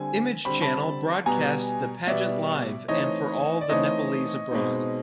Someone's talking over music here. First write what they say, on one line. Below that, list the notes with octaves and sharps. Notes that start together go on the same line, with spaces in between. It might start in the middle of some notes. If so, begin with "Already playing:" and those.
Image Channel broadcast the pageant live and for all the Nepalese abroad.
Already playing: D3 G3 C4 G#5
D3 G3 C4 B5
A5 B5
B2 G3 B3 G#5 A#5
B2 G3 B3 D5 E5
E3 A3 C4 D#4 C#5 D#5
D5
E3 A3 C4 D#4 C#5 D#5
B2 G#3 C4 D#4